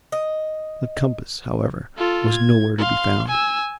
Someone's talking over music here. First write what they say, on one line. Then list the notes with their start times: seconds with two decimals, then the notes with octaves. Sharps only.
The compass, however, was nowhere to be found.
0.12 D#5
1.98 F4 A4
2.31 G#6
2.78 F5 C6
3.28 G#5 E6